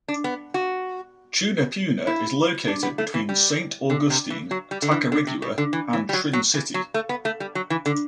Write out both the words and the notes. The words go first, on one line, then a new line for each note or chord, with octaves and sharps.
Tunapuna is located between Saint Augustine, Tacarigua and Trincity.
D4
B3
F#4
E4
D4
B3
A3
E3
G3
D3
C3
E3
F#3
G3
D3
E3
D3
C3
B2
D3
E3
E3
G3
F#3
F#3
E3
F#3
A3
B3
A3
G3
F#3
E3
D3